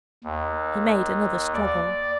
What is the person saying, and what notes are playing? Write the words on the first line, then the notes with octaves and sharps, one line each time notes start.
He made another struggle.
D#2
D5